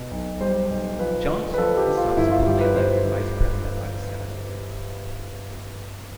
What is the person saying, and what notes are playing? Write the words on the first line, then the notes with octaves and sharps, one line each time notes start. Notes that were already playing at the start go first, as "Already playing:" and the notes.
Johnson was subsequently elected Vice President by the Senate.
Already playing: B2
B1
G3 C5
B1
F3 B4
D3
B4
F3 A4
G4
D3
F4
G1 E4
F4
G1 G4
B4
G1 C5
D3